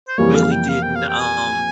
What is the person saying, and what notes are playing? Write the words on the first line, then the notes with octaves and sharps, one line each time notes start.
really didn't, um,
C5
F2 E3 G3 A#3 C#5
F5
G5
F5
G5
F5
G5
G#5